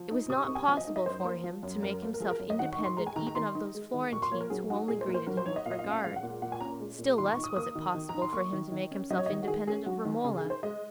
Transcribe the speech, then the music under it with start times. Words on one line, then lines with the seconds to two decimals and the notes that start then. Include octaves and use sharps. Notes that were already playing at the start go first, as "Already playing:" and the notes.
It was not possible for him to make himself independent even of those Florentines who only greeted him with regard; still less was it possible for him to make himself independent of Romola.
Already playing: F3
0.11 D#4
0.29 C3 D#6
0.42 C#6
0.48 C4
0.55 G#5
0.68 F3 G#5
0.77 D#5
0.87 D#4
0.96 D#5
1.06 F#2 C5
1.25 A#3
1.44 F3
1.63 F#2
1.82 F#2 A#4
2.02 A#3
2.14 A#4
2.20 F3 G#4
2.31 A#4
2.39 F#2
2.50 D#5
2.59 D#3 F#5
2.73 C#6
2.79 D#4
2.85 C6
2.97 G#3 A#5
3.07 G#5
3.16 D#3 A#5
3.27 A#5
3.35 D#3 C6
3.55 D#4
3.75 G#3
3.94 D#3
4.12 A#2 C#6
4.22 C6
4.31 A#3 C#5
4.41 A#4
4.50 F#3 G#4
4.70 D#4 F#4
4.88 A#2 G#4
5.01 C5
5.08 A#3 A#4
5.14 C5
5.27 F#3 A#4
5.37 C5
5.46 D#4 C#5
5.56 D#5
5.66 A#2 F5
5.71 D#5
5.79 F5
5.84 C#4
5.91 F5
6.04 G#3 F5
6.16 F#5
6.23 A#2
6.42 A#2 F#5
6.52 G#5
6.61 C#4 A#5
6.80 G#3
6.99 A#2
7.18 D#3 C6
7.32 C#6
7.37 D#4
7.44 D#6
7.56 A#3 D#6
7.75 D#3
7.95 D#3
8.09 A#5
8.14 D#4
8.22 C6
8.33 A#3 C#6
8.53 D#3
8.72 D#3
8.91 C#4
9.11 F#3 D#5
9.18 C#5
9.26 D#5
9.30 D#3
9.42 F#4
9.48 D#3 G#4
9.67 C#4 G#4
9.86 F#3 F#4
10.05 D#3
10.24 C#3 G#4
10.38 G#4
10.44 D#4
10.50 C5
10.63 G#3 D#5